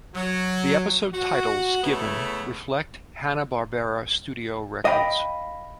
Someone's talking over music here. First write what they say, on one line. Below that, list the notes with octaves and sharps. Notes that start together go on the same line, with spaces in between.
The episode titles given reflect Hanna-Barbera studio records.
F#3
F#4
C#3 A3 B3 E4
D#5 F5 G5 B5